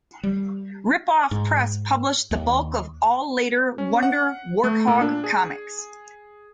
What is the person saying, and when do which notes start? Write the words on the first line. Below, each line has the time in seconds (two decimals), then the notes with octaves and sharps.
Rip Off Press published the bulk of all later Wonder Wart-Hog comics.
0.23 G3
1.31 G#2
2.31 D#2
3.78 C#4
4.03 F#5
4.64 A3
4.87 A#2
5.01 D4
5.24 G#4